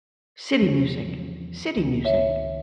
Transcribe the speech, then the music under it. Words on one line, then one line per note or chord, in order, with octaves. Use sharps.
City music. City music.
E2 F3
C#2 D#3
C#5 E5